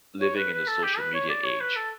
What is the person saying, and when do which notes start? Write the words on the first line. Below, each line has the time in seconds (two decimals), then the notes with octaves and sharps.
living in the social media age,
0.21 C#5
0.36 B4
0.52 B4
0.67 A4
0.83 G4
0.99 B4
1.14 C#5
1.29 D5
1.45 C#5
1.61 B4
1.76 A4